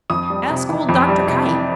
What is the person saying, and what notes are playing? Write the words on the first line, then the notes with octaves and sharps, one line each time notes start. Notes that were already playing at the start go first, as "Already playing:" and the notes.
Ask old Dr. Kite.
F2 D#6
G3
C3
E3
F2
G3
C3
E3